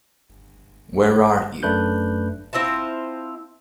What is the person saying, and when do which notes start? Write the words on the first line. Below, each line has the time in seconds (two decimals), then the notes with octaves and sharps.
Where are you?
1.63 F#2 A3 D4 B4 F#6 G6
2.53 C4 E4 F4 A5